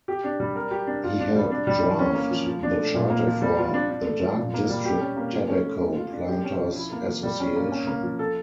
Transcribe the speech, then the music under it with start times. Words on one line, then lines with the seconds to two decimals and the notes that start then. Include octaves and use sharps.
He helped draft the charter for the Dark District Tobacco Planters Association.
0.08 G4
0.24 D4
0.40 G3
0.56 A#4
0.71 G4
0.87 D4
1.04 F4
1.20 D4
1.35 G3
1.51 D4
1.67 G3
1.83 E3
1.99 C#4
2.15 A#3
2.31 F3
2.46 F3
2.63 D4
2.79 A3
2.95 A#2
3.10 A#3
3.26 F3
3.42 G3
3.58 F4
3.74 D4
3.89 D4
4.06 A3
4.22 F3
4.37 A#2
4.54 A#3
4.70 G3
4.85 G4
5.00 C#4
5.17 A#3
5.33 F3
5.48 C#4
5.65 A3
5.80 A3
5.97 F4
6.13 D4
6.29 G4
6.44 C#4
6.60 F3
6.76 E4
6.92 A#3
7.08 F3
7.23 G3
7.40 C#4
7.56 A#3
7.72 C#4
7.87 A#3
8.03 F3
8.19 A4